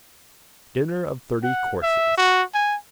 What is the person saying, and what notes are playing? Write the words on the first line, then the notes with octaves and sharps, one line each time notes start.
Dinner of thirty courses.
F#5
E5
F#4
G#5